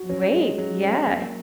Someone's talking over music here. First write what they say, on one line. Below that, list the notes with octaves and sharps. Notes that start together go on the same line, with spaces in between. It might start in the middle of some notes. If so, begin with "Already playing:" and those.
Wait, yes.
Already playing: F#4
F#3 C#4
G#3 G#4
F#3 G#4
G#3 C#4
F#3 A#3